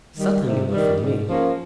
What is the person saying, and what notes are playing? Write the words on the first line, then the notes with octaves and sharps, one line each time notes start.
Certainly not from me.
D#3 G3
C3
D#3 G3
G#2
F3 A#3 C#4